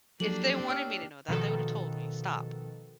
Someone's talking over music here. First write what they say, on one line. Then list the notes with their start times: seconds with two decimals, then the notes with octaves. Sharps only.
If they wanted me to know that, they would have told me, stop."
0.20 F3 F#3 A#3 D4 G4 A4 F#7
0.69 C#5 G5 E6 F6
1.29 B2 D#3 F3 F#4 A4